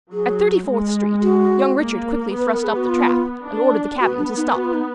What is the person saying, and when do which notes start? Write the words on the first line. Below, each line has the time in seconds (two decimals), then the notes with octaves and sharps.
At Thirty-fourth Street young Richard quickly thrust up the trap and ordered the cabman to stop.
0.12 F#3 G#4
0.68 G#3
1.23 F#4
1.78 A#3
2.34 B3 B4
2.51 A#4
2.64 G#4
2.76 F#4
2.89 F4
3.45 D4
4.00 B3 F#4
4.18 D4
4.37 D#4
4.55 F#4
4.64 F4
4.74 D#4